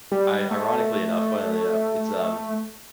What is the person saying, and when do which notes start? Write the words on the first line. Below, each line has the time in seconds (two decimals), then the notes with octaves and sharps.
i ironically enough, funnily enough, it's, um,
0.12 G3
0.51 A3